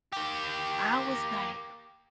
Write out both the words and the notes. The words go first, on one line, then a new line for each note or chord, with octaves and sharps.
I was, like
A#3 G4